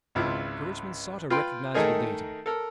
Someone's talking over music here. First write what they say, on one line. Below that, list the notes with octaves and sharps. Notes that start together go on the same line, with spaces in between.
Sir Richmond sought a recognizable datum.
G#1 C#2 E4 F4
F4 B4 G5 C6
D#3 A3 D#4 G#4 A#4
A4 A#4